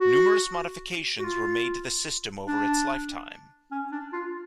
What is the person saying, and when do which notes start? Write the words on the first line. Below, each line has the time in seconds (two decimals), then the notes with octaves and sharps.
Numerous modifications were made to the system over its lifetime.
0.01 F#4
1.19 F#4
1.24 F4
2.48 D4
3.72 C#4
3.92 D4
4.13 F4